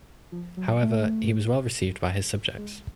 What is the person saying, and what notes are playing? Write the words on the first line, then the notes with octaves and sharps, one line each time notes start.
However he was well received by his subjects.
F3
F#3
A3
G#3